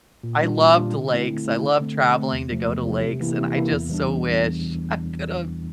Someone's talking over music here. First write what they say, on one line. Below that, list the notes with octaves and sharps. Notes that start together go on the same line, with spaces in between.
I loved lakes, I loved traveling to go to lakes, and I just so wish I could have
A#2
G3 D4 F4
A#2
G3 D4 F4
D3
A3 C4 E4
D3
A3 C4 E4
D3
A3 C4
D3
A3 C4
E2
C3 F3 A3
E2
C3 F3 A3
C3
E3 A#3 E4
C3
E3 A#3 E4
E2
E3 G3 D4
E2